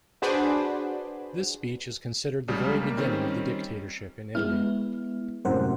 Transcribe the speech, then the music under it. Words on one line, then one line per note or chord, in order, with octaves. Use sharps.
This speech is considered the very beginning of the dictatorship in Italy.
D4 F#4 G#4 B4 C5 D5
A#1 C#3 G3 G#3
A#3
D#3 G3 C4 C#4
G#3 B3 E4 F6
F#2 A2 C3 A#4 C5 F#5